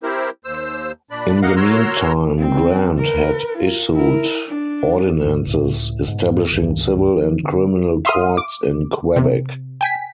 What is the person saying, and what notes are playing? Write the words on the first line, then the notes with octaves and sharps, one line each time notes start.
In the meantime, Grant had issued ordinances establishing civil and criminal courts in Quebec.
C4 E4 G4 A#4 C5
D#2 C5 E6
A#2 D4 D5 B5
A#3 A#4 D#5 F5 F#5
F#4 A#4 C#5 A#5 C6 E6
C4
A#4 B4
F4 A#4
E4 A#4
D4
G#2
C#2 A2
G#2 B2
C#2 G2 D#3
F3
D3 B3 C#4
E5 F5 C6 D#6 F6 D#7
D6
C3
G5 G#5 B6